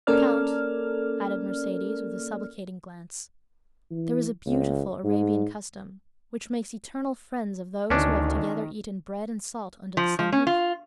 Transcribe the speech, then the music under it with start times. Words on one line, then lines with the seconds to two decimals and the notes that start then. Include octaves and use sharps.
"Count," added Mercedes with a supplicating glance, "there is a beautiful Arabian custom, which makes eternal friends of those who have together eaten bread and salt under the same roof."
0.07 A#3 C#4 A4 A#4 D5 F6
3.91 E3
4.46 C#2
5.04 G#2
7.90 D2 D#3 C#4 D4
9.97 F3
10.19 F3
10.32 C#4
10.47 F4